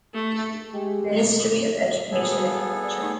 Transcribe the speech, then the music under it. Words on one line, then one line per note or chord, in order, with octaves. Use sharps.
Ministry of Education and Culture.
A3
G#3 G4
B3 G#4 A4
G3 F#4 C5
D5
A3 D#4